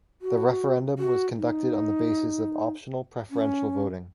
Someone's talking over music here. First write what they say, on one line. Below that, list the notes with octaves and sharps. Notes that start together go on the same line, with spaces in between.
The referendum was conducted on the basis of optional preferential voting.
F#4
F#4
D#4
C#4